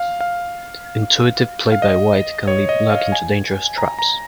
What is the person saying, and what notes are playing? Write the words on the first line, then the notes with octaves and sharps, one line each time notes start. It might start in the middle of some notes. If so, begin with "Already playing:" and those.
Intuitive play by White can lead Black into dangerous traps.
Already playing: F5
F5
F5
D#5
C#5
D#5
F5
G#5
A#5
A#5